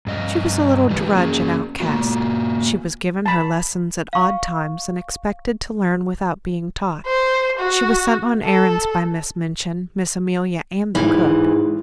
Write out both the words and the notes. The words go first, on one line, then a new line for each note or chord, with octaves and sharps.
She was a little drudge and outcast; she was given her lessons at odd times and expected to learn without being taught; she was sent on errands by Miss Minchin, Miss Amelia and the cook.
G2 D#5 F5
E3 G3 F4 G4 B4
A#3 C#4 G#4
A#3 F4 F#4
A5 B5
F5 C#6
C5
F#4
A4
A1 G#2 E3